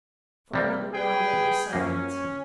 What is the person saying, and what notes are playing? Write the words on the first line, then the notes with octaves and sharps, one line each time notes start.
For a little while they were silent.
C3 G3 A#3
G#4 B4 G5
F#2 A#3 C#4